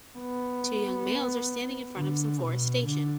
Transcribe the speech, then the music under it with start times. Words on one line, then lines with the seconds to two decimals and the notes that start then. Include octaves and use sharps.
Two young males are standing in front of some forestation.
0.18 B3
1.97 D3
2.42 B2
2.86 D3